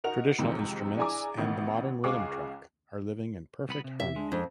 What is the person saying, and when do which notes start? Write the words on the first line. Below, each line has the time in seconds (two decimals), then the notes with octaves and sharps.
Traditional instruments and the modern rhythm track are living in perfect harmony.
0.04 D#4 F#4 A#4 F#5 F7
0.38 F2 G#2 C3 D#3 E3
0.97 D4 E4 G#4 G#5 A#5 D6
1.37 A1 B2 D#3
2.04 C#2 G#4 F5 C#6 D6 F#6
3.69 C2 B3 B5
3.84 C3
4.00 G4 E5
4.16 G#3 D4
4.32 F2